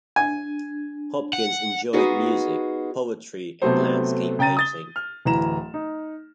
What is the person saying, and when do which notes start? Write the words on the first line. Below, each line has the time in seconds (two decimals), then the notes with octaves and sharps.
Hopkins enjoyed music, poetry and landscape painting.
0.16 D4 G#5
1.33 F#5
1.93 B3 D#4 F4 F#4 G#4 B4
3.62 C3 F#3 A3 B3 A4 C5
4.39 C#3 G5 A#5 A6 D#7
4.57 D#6 A6 G7
4.96 F6
5.25 D1 E3 A#5 E7
5.74 D#4